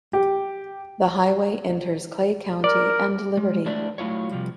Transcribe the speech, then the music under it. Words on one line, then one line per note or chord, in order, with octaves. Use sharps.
The highway enters Clay County and Liberty.
G4
A#4 D5
G#3
A3 D4 E4 C5 D5 E5
F#3 A3 E4 F4 C#5
C3 F3 G3